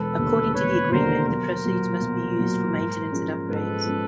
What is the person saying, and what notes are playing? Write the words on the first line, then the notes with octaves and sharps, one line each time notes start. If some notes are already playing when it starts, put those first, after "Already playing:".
According to the agreement, the proceeds must be used for maintenance and upgrades.
Already playing: E1 A4 B4
D#2 D3
E1 B4 C#5
D#2 D3 A#4 C5
B1 A#4 C5
A#2 F#3
B1
A#2 F#3
G#2
F3 G#3 C#4
G#2 A4 B4
F3 G#3 C#4